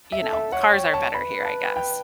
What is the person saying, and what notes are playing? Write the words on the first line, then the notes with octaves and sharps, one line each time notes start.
you know cars are better here, I guess.
E5
A4
E5
C#5 F#5
G5
A5
B4 B5
A5
G5